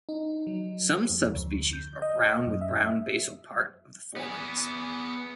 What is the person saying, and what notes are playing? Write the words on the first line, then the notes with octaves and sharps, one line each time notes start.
Some subspecies are brown with brown basal part of the forewings.
D#4
F#3
F2
D2
G6
D#5
F#2
E5
B3 G#4